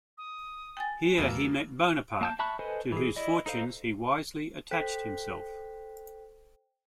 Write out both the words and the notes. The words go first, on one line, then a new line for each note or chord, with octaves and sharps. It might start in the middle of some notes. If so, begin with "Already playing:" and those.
Here he met Bonaparte, to whose fortunes he wisely attached himself.
D#6
G5 G#5 A6
E2 B2 G#3 A#3 E6
A#3 A5 G6
E5 A5 B5 C#6 F#6
A4 B4 C5 D#5 G#5
E3 G#4
E4 D5 D#5
D#4 A4 C5 F5
A4 C5 G5 F#6 B6